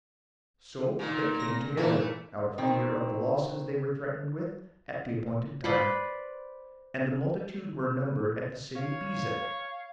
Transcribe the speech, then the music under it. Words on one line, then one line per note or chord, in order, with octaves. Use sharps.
So they came together, out of fear of the losses they were threatened with, at the appointed time. And the multitude were numbered at the city Bezek.
A#2 D#3
A#6
A#2 E3 A3 A#3
B2 D#3 C4
B4 C5 D5 B5
C#5 F5